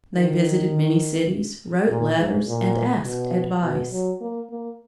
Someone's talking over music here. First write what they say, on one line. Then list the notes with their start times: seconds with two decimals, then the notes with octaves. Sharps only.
They visited many cities, wrote letters, and asked advice.
0.15 D#3
1.89 A#2
2.18 G#2
2.47 A#2
3.05 B2
3.63 B2
3.92 F#3
4.21 A#3
4.50 A#3